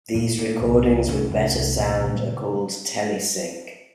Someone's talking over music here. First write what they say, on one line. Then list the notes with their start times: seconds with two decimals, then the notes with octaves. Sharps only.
These recordings with better sound are called telesync.
0.15 A#2 A#3
0.38 A#2
0.61 C2
0.84 C2
1.08 C2 C#4
1.31 C2
1.53 C2
1.77 A#2
2.00 C#3